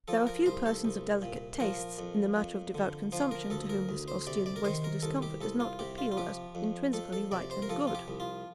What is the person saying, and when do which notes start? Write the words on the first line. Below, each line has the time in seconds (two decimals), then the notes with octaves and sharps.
There are few persons of delicate tastes, in the matter of devout consumption to whom this austerely wasteful discomfort does not appeal as intrinsically right and good.
0.08 F3 A4
0.27 A#4
0.46 C2 C5
0.66 A4
0.85 C2
1.22 A#2
1.60 F3 A#4
1.99 F2
2.36 F2
2.75 D3
3.12 F3 C5
3.31 A#4
3.50 D2 A4
3.69 A#4
3.89 D2
4.08 C5
4.27 C3 D5
4.46 D5
4.56 A#4
4.65 D#3 C5
4.84 A#4
5.02 C2 A4
5.22 G4
5.41 C2 A4
5.60 F4
5.79 C3 G4
5.98 F4
6.12 F4
6.17 F3 G4
6.55 F2
6.93 F2 A4
7.13 A4
7.31 C3 D5
7.51 C5
7.62 A#4
7.69 F3 A4
7.87 F4
7.95 G4
8.08 C2
8.20 F4